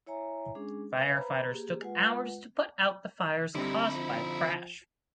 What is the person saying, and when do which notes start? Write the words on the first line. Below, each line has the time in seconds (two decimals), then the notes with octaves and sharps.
Firefighters took hours to put out the fires caused by the crash.
0.07 E4 C#5 E5 G#5 A#5
0.55 G#3 C#4 D4 G#4
0.97 B4 E5 F5 G#5
1.16 B4 C5 A#5 B5
1.51 A#3 G4 G#4
1.81 G#3 F4 B4 F#5
3.55 D3 G3 C4 D#4 E4
3.94 F3